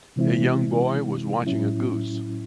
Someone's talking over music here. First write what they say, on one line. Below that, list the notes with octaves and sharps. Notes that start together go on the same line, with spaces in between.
A young boy was watching a goose.
C3 E3 G#3 C4 E4
A2 F#3 C#4 E4